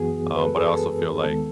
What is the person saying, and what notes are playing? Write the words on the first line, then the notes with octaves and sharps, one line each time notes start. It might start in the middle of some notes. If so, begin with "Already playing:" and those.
Um, but I also feel like
Already playing: F#2 E3 B3 F#4 G#4
B4
A4
G#4
A4
D#2 D#3 G#3 B3 A4